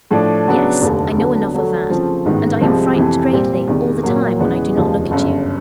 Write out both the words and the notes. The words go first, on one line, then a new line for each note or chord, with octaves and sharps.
'Yes, I know enough of that; and I am frightened greatly, all the time, when I do not look at you.'
A2 F3 A3 D4
C#3 F#3 B3 D4
F1 D#2 D3
F2 D3 F#3 B3
D3 F#3 A3
C#3 F3 A3 C4 F4
A1 G#2 D#3 G#3 B3
C2 C3 F3 G#3 C4
F2 C3 E3
A#2 G3 C4
E2 C3 D#3
A#2 F#3 A#3
E2 C#3 E3 G#3 B3
F1 D#2 C#3 F3 G#3
G1 F#2 C#3